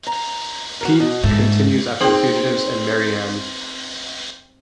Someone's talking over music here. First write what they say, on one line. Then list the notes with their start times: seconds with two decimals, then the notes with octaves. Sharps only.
Pete continues after the fugitives and Marianne.
0.07 A#5
0.81 F#4 A#4
1.00 B2
1.24 G#2 A3
2.01 C4 D#4 G#4 G5